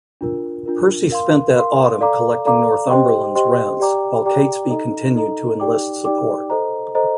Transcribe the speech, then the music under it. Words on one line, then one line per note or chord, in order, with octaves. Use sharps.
Percy spent that Autumn collecting Northumberland's rents, while Catesby continued to enlist support.
D4 F4 A#4
D4 F4 A#4
A#4 F5 C6
A#4 F5 C6
A4 D5 F5 A#5 D6
A4 D5 F5 A#5 D6
G4 C5 D#5 G5 C6
G4 C5 D#5 G5 C6
G4 D5 G5 A#5 D6
G4 D5 G5 A#5 D6
D#4 A4 D#5 A#5
D#4 A4 D#5 A#5
D#4 G4 D5 G5 D6
D#4 G4 D5 G5 D6
A4 C5 D#5 A#5
A4 C5 D#5 A#5